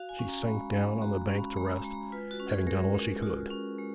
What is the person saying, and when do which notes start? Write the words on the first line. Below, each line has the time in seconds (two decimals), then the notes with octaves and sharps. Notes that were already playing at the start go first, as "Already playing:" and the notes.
She sank down on the bank to rest, having done all she could.
Already playing: F#4 F5
0.09 G#5
0.19 C#4
0.27 A#5
0.46 G#3 B5
0.74 G#3
1.02 F#4 A#5
1.29 C#4
1.38 B5
1.56 G#3 A#5
1.76 A#5
1.85 G#3
1.93 A#5
2.12 F4 B4
2.31 F#4
2.40 C#4
2.49 G#4
2.67 G#3 A#4
2.94 G#3
3.22 F4 F#4
3.50 C#4
3.78 G#3